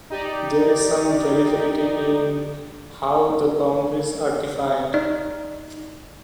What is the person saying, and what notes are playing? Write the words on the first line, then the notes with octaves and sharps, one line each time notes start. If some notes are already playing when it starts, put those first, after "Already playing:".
There is some variability in how the boundaries are defined.
D#4 G4 D5
D#4 D5